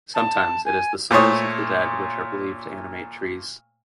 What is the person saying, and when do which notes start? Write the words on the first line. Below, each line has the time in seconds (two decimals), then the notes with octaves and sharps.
Sometimes it is the souls of the dead which are believed to animate trees.
0.14 A5
0.65 G#5
1.11 A#2 A3 C5 C#5 D#6